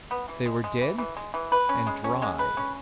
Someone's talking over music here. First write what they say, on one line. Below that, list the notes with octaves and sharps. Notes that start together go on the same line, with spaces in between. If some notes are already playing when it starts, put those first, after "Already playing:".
They were dead and dry.
B3
E3
G#3
G#3
E3
E3
G#3
E3
B4
C#4
G#3
C#4
G#3
B4
C#4